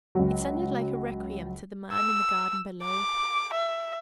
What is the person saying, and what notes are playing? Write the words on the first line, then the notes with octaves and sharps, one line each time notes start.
It sounded like a requiem to the man in the garden below.
C#2 F#3
E6
D6
E5